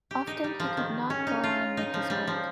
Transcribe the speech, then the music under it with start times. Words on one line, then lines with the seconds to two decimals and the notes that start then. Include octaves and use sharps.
Often he could not go on with his work.
0.11 G4
0.27 D#4
0.44 G3
0.60 F3
0.77 D#3
1.10 C#4
1.27 D#4
1.44 F4
1.77 D#4
1.94 F3
2.10 G3
2.27 F3